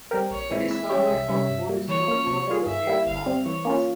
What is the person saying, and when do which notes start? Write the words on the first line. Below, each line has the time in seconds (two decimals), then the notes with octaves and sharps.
He discovered or co-discovered thirteen comets.
0.11 G3 C4 G4 A#4
0.30 A#1 C#5
0.51 A#2 G#3 C4 E4
0.70 E3 E5
0.89 G3 C#4 G4 C#5
1.10 C2
1.29 C3 G3 C#4
1.50 G2
1.69 G3 A#3
1.88 E3 C#5
2.08 A#3 C#4
2.27 C3
2.47 G3 A#3 F4 G#4
2.66 G2 E5
2.87 G3 A#3 E4
3.06 G1 F5
3.26 G2 G3 C4
3.45 E3 C#5
3.65 A#3 C#4 F4